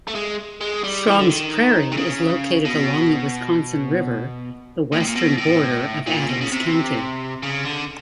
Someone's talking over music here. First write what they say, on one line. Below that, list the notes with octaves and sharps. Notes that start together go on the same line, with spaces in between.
Strongs Prairie is located along the Wisconsin River, the western border of Adams County.
A3
G#3
G#3
G3
E3
D3
D#3
C3
C#3
B2
A#2
A2
A#2
B2
A2
A#2
B2
C#3
C3
C#3
D3